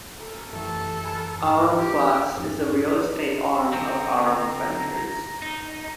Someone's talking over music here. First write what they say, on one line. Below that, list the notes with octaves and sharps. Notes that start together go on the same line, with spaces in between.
Aurum Platz is the real estate arm of Aurum Ventures.
A4 A#4 A5
F#2 E3 A3 G4 A4
A#4 B4 G#5
G#2 E3 G#4 F5
G4 B5 F6
F2 G#2 F3 D#4
D3 C4 A#5
D#4